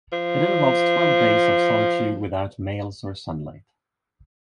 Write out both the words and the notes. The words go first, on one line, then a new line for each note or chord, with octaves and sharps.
It involves twelve days of solitude without males or sunlight.
F3